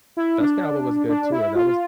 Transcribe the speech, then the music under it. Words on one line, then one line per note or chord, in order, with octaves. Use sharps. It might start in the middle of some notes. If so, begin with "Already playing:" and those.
Jessica Alba was good too. Uh, that was
E4
D4
D4
E4
F4